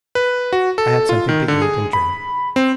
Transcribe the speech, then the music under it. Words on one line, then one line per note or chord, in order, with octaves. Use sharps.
I had something to eat and drink.
B4
F#4
A4
F4
D#3
D3
G#4
B5
C4